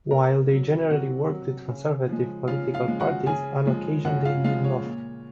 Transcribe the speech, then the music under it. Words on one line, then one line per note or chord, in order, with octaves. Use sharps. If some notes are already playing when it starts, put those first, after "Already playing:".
While they generally worked with conservative political parties, on occasion they did not.
C3 A#4 A#5
F#3
C3 F#4 F#5
F#3
C#3
F3 G#3
C#3 F4 F5
F4 F5
F3 G#3
F#4 F#5
C#3 G#4 G#5
F3 G#3
C#3 F#4 F#5
F4 F5
F3 G#3 F4 F5
C#5
A#2